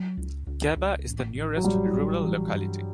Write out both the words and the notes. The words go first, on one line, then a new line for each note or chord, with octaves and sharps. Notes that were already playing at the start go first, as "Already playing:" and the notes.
Geba is the nearest rural locality.
Already playing: F#3
C#2
C#2
C#2
A1
A1
F#3
A1 G3
A1
E3
G2